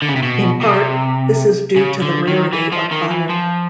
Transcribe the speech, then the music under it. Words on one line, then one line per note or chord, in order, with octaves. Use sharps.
In part, this is due to the rarity of fire.
D3
C#3
C3
B2
C3
C#3
D3
D#3
E3
F3
D#3
E3
F3